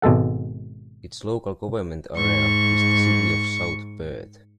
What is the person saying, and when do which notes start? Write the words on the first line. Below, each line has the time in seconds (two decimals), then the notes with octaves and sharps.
Its local government area is the City of South Perth.
0.02 G#1 B2 G#3 A4 F#5
2.16 G#2 C#6